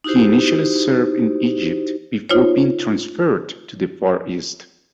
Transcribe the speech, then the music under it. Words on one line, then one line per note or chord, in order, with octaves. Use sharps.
He initially served in Egypt before being transferred to the Far East.
D#4 E4 F#4 G4 C5
D#4 F4 C5 C#5